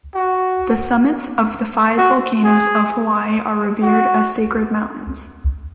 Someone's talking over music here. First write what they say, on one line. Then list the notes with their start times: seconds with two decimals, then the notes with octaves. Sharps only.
The summits of the five volcanoes of Hawaii are revered as sacred mountains.
0.15 F#4
1.98 F#4
2.44 G#4
3.82 F#4